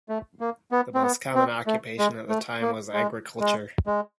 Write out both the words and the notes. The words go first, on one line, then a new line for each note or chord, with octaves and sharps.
The most common occupation of the time was agriculture.
A3
A#3
B3
C4
B3
C4
A3
G#3
A3
A#3
G#3
G#3
G#3